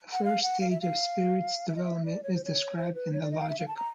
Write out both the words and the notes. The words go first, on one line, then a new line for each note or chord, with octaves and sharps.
The first stage of Spirit's development is described in the Logic.
F#5
F5
F#5
F5
E5
F5
E5
D#5
E5
D5
C#5
C5
C#5
C5
B4
C#5
D5
D#5
F5
E5
F5
A5
A#5